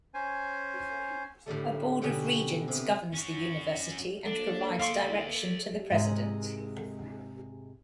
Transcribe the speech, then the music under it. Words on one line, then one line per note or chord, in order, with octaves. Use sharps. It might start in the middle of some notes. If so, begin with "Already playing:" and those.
A board of regents governs the university and provides direction to the President.
C#4 C5 G#5
A2 D3 G3 A3
B2 D3 G3 C#4 F#5 G5
C3 B3
C#4 F#4
A#3 D4 A4
D5 E5 F5 C6 C#6
G#2 C3 G#3 D#5